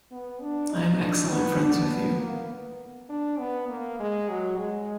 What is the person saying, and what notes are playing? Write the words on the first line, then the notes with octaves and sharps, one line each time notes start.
I am excellent friends with you.
B3
D4
D#4
D4
B3
D4
B3
A#3
B3
D4
B3
A#3
G#3
F#3
G#3